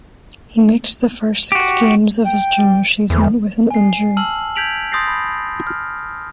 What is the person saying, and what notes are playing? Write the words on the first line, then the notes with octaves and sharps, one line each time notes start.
He missed the first six games of his junior season with an injury.
F#4 G4
G5
E2 D3 F3
G#5 C7
A5 E6 F6 F#7
G6 G#6 B6 D7 F7 F#7
C6 D#6 G6 A6 A#6 C7
B5
F6